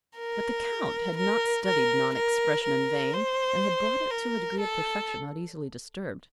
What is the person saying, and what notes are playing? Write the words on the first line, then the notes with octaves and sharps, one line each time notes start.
But the Count had not studied non-expression in vain, and had brought it to a degree of perfection not easily disturbed.
A#4
A#4
A#4
A#4
A#4
C5
A#4
A4